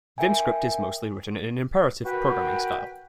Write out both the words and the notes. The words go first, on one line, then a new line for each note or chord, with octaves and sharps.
Vim script is mostly written in an imperative programming style.
A#4 E5 G5 G#5
F#4 A#4 B4 G5